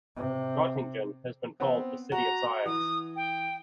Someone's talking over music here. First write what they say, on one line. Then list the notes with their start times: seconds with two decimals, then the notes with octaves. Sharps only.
Göttingen has been called "the city of science".
0.17 C3
1.60 B3 C4
2.12 F#4 A#5
2.66 E3 D#6
3.16 G5